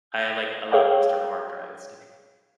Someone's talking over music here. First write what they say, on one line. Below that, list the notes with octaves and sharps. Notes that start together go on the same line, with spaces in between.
I like, I love external hard drives, like,
G#4 C#5 F5 G5